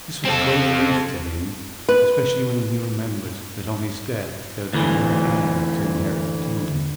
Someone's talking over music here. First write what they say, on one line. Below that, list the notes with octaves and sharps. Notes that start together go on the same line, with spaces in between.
This was a great grief to him, especially when he remembered that on his death there would be no heir to inherit the kingdom.
C4 A4
B4
D2 E3